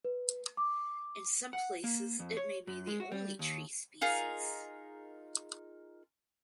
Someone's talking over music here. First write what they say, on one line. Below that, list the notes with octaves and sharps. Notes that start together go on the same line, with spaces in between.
In some places it may be the only tree species.
B4
D6
F#5
A#3
F2
C#5
F#2
G#3
F#4
G3
D#2
D#4 F4 G#4 A#4